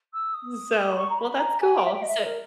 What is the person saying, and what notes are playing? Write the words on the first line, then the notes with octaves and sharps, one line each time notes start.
So well, that's cool. So,
E6
D#6
B5
C#6
A#5
B5
A#5
G#5
G5
E5
G5
D#5
E5
A#4